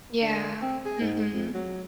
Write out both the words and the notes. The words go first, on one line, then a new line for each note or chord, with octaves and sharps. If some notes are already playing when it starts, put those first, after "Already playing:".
Yeah. Mhm.
D3
C4
G#4
G#2
F2
F#3